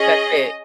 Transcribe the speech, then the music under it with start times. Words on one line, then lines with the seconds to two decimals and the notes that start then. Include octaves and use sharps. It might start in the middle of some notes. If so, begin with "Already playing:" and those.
that's it."
Already playing: C#4 G#4 D#5